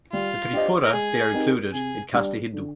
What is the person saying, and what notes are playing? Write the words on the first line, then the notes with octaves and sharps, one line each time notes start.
In Tripura they are included in Caste Hindu.
G3 F4
D4 G4 C5 D#5
A#4
G#3 G#4
C4 D#4 G4 A#4
C3 G#4
G3 D4
D3